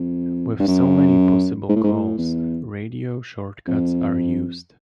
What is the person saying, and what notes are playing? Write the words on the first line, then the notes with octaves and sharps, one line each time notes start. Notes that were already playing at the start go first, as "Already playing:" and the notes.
With so many possible calls, radio shortcuts are used.
Already playing: F2
G2
F#2
G#2
A2
G#2
A2
E2
F2